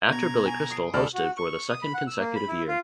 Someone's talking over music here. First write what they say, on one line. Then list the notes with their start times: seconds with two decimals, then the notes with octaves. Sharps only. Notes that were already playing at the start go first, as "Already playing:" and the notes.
Actor Billy Crystal hosted for the second consecutive year.
0.09 B2 A#5 G#6
0.46 G#5
0.70 D#6 C7 D7
0.94 D2 A4 C5 D5 B5 F6
1.14 F#4
1.37 C#6
1.70 D#6
1.82 B5
1.94 F#5
2.07 E6
2.18 A#3
2.35 B5
2.48 E4
2.68 F4